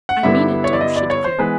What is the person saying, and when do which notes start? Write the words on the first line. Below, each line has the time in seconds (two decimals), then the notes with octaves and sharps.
"I mean it to," she declared.
0.09 F#5
0.23 G2 D3 G3 B3 E4 E5
0.64 C#5
0.73 D5
0.81 D#5
0.96 D5
1.10 C#5
1.24 C5
1.38 E3 G#3 B3 B4